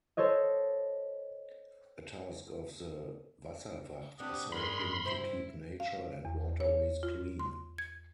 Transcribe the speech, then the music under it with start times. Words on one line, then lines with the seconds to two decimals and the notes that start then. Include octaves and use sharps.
A task of the Wasserwacht is helping to keep nature and waterways clean.
0.17 A4 C5 C#5 D#5
4.20 C3 D4 G4 F#5 D#6
4.52 G2 G#3 A#4 B5 C6
5.05 C3 E4 C5
5.80 F5
6.25 E2
6.60 C#5
7.03 F4
7.39 C6
7.78 G#6